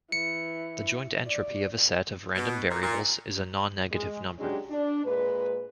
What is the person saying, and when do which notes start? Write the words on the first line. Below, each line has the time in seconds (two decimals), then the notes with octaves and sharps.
The joint entropy of a set of random variables is a nonnegative number.
0.12 E3 C#7
1.26 D5
2.36 B2
2.70 A#2
2.83 A#2
3.91 G#3
4.38 F#3 G#3 C#4 D4 G4
4.70 D4
5.05 A#2 G#3 B4